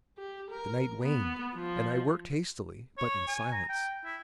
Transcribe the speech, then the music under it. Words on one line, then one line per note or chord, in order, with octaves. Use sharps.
The night waned, and I worked hastily, but in silence.
G4
A#4
B3
F3
C#5
G#5
A#5
G5
E4